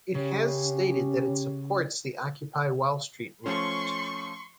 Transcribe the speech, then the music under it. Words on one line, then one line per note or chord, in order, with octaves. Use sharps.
It has stated that it supports the Occupy Wall Street movement.
C#3 C#4 G4
F3 A3 C#4 C6 C#6